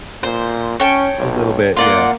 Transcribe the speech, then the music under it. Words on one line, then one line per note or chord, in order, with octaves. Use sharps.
A little bit, yeah.
A#2 C5
C#4 C#5 G5 A5
B1
A#3 F4 D5 F#5